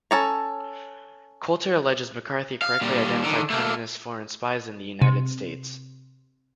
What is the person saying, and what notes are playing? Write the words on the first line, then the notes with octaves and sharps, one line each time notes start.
Coulter alleges McCarthy correctly identified communist foreign spies in the United States.
C#4 A4 A#5
F5
A#2 G3
D3 D#3
A3 A#3
C3